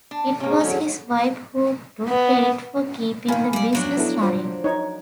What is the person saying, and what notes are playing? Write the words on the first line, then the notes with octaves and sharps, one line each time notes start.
It was his wife who took credit for keeping the business running.
D4
G#2 C3 A#3 C#4
E2 D3 F#3 C#4
B3
A#2 D#3 A#3 F5 G#5 B5
G3 D5
F3 F#3 D4
B3 E4 A4
F4 C5
D#4 C#5